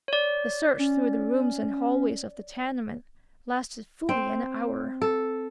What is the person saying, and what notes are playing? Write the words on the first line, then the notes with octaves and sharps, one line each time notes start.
The search through the rooms and hallways of the tenement lasted fully an hour.
C#5 D5
C#4
C4
A4